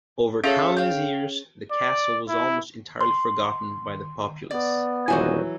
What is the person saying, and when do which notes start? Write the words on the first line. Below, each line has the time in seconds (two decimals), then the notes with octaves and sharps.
Over countless years, the castle was almost entirely forgotten by the populace.
0.44 C#4 F4 G#4 A4 C#5 E5
0.77 F5 G5
1.71 D5
2.28 E4
3.01 C6
4.51 B3 D5
5.08 D#1 E3 F#3 F#4 C5 G#5